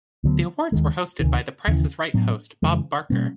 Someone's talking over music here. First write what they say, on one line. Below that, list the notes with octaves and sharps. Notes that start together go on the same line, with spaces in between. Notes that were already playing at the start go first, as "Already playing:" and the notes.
The awards were hosted by "The Price Is Right" host Bob Barker.
D2 D3 F#3 B3
D#2 D#3 G#3
D2 C3 D#3
D#2 C#3 E3
A2 F#3 B3 D4
F2 C#3 E3 G#3
B2 G3 A#3 C#4